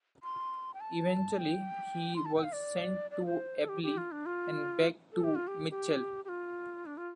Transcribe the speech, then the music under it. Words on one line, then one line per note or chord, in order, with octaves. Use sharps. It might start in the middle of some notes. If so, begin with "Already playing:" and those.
Eventually he was sent to Abeele and back to Mitchell.
C6
G5
A5
G5
C6
A5
G5
F5
D5
D5
C5
A4
G4
G4
F4
D4
F4
A4
G4
F4
G4
G4
G4
F4
D4
F4